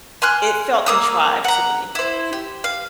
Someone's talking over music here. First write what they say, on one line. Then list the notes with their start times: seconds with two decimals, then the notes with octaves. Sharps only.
it felt contrived to me.
0.22 G#5 C6 F6 F#6
0.86 A#3 D#6 E6
1.44 F#5 A#5
1.95 E4 C5
2.33 G4
2.64 F5